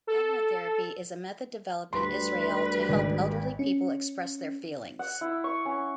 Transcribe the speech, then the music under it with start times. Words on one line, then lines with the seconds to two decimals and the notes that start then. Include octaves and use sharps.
Agnotherapy is a method developed in Israel to help elderly people express their feelings.
0.07 A4
1.93 D2 G3 B4 C6
2.89 G#1
3.59 C#4
4.99 F#5
5.21 E4
5.44 C#6
5.66 C#4